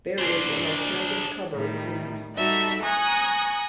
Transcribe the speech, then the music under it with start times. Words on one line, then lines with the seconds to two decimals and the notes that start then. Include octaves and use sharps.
There is an alternative cover released.
0.19 D4 C5
1.53 A2 D#3 G3
2.35 G3 D#4 F#4 A4 D5 E5
2.83 G#5 A#5 C#6 D#6 F#6 G#6